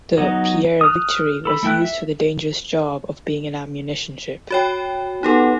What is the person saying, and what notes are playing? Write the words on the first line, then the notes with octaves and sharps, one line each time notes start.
The "Pierre Victory" was used for the dangerous job of being an ammunition ship.
F#3 B3 D#4
D#6 F6 F#6
A4 B5
A3 E4 G5 F#6
E5
F#4 C#5 G5
B3 D#4 G4 A4